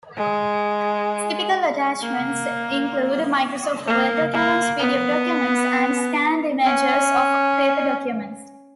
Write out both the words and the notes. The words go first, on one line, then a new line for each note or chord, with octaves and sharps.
Typical attachments include Microsoft Word documents, pdf documents and scanned images of paper documents.
G#3
A#3
A#3
A#3
B3
C#4